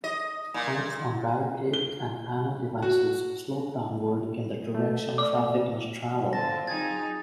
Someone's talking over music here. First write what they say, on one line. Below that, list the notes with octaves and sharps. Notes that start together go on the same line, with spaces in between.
Stripes on barricades and panel devices slope downward in the direction traffic must travel.
D#5
A#2
G7
F#4
A3
D3 C4 F4 A5 A#6
F#3 D#4 G#4 G#6 A6